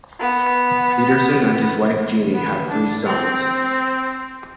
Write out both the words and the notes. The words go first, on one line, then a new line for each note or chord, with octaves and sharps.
Pederson and his wife Jeannie have three sons.
B3
B3
D4
C4